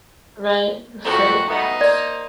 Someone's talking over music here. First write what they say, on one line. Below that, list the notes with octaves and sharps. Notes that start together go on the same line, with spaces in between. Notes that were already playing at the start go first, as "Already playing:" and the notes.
Right, afraid of cops.
F2 F#4
B2 A3 B3 D#4
A#3 C5 D5